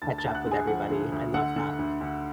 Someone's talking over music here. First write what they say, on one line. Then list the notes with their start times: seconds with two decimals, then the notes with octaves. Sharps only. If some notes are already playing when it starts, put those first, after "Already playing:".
catch up with everybody. I love that.
0.02 D2 A5 A6
0.18 A5 A6
0.24 D2
0.34 F#5 F#6
0.46 D3
0.51 G#4 G#5
0.67 F3 F#5
0.90 D3
1.12 D2
1.34 D3 F#5
1.56 D3
1.79 D2
2.01 D2